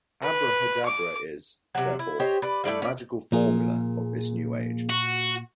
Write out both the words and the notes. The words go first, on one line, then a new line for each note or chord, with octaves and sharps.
Abrahadabra is, therefore, the "magical formula" of this new age.
B4
D6
C3 F#3
E4
G4 C5 C#5 D#5
B4 D5
A3 E4 D5 F5
C#4 D5
A#2 F3 A#3 G#4
F#4